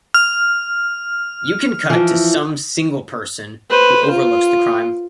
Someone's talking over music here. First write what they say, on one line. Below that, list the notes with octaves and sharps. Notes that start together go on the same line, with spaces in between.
You can cut to some single person who overlooks the crime.
F6
E3 F3
B4 C5
F4